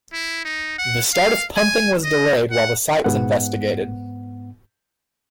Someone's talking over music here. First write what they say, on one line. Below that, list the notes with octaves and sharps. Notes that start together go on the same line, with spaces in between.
The start of pumping was delayed while the site was investigated.
E4
D#4
F#5
F5
G#5
D#5
F#5
G#2 B3 F#5